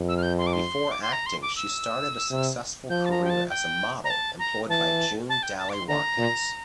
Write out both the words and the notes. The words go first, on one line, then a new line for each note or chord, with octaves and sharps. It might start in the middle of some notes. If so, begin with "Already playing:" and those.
Before acting she started a successful career as a model employed by June Dally-Watkins.
Already playing: F2
E6
F6
G6
C6
D6
C6
D6
C6
A#5
C6
D6
E6
C3
F3 G6
A5
A#5
G5
A5
G5
A#5
A5
A#5
E3 A5
A5
G5
A5
D6
C6
D3 A#5
A#2